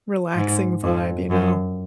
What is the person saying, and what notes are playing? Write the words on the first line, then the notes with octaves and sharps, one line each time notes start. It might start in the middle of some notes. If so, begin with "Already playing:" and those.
relaxing vibe, you know,
G#2
F2
F#2